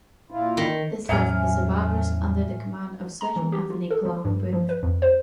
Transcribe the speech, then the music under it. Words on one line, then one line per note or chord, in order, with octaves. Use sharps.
This left the survivors under the command of Sergeant Anthony Clarke Booth.
A#2 E4 F4
D#3
E2 A2 F#3 C#4 E5 G#5 F6
A#5
E3
G4
F4
A4
F3
G2
F3
B4
F2
C5